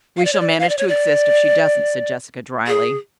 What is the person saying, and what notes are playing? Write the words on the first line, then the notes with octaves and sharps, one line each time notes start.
"We shall manage to exist if she doesn't," said Jessica dryly.
F5
D5
C#5
D5
F5
D5
C#5
D5
G#4